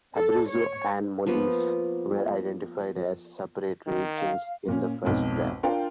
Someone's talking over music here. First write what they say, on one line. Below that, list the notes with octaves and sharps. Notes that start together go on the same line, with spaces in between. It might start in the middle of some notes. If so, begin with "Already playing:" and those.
Abruzzo and Molise were identified as separate regions in the first draft.
A4
C#5
F3 A#3 B3
D#3
F5
A#2 C#4
B1 F2 G#2
D4 F4 A#4 G5